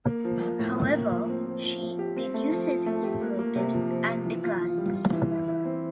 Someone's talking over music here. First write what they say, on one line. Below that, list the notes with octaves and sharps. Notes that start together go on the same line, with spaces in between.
However, she deduces his motives and declines.
A#3
F3
A#3
A2
A#3
A#3
F3
C4
F3
F3
F3
G4
C4
A3
F3
F3
A3
G4
A#3
A#3
C3
F3
F3
F3
E3
F4
F4
G3
F4
E3
E4
E4
C4